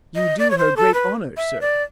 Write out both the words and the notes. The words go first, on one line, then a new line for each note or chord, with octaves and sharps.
"You do her great honour, sir."
D#5
D5
C#5
C5
A4
B4
E5
D5